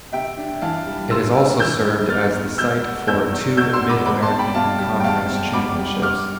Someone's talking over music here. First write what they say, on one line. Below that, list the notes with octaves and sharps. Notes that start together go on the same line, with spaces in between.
It has also served as the site for two Mid-American Conference Championships.
C3 E5 G5
D4
E3 F5 A5
G3
C3 C6 E6
D4
E3 E6 G6
G3
E2 F6 A6
E2
B2 E6 G6
B3
E2 E6 G6
E2
B2 E6 G6
C6 E6
B3
B5 D6
E2 B5 D6
A5 C6
C4
G5 B5
B2 F5 A5
G3
G5
E2 F5 A5
C4
B2 B5 D6
G3
G2 D6 F6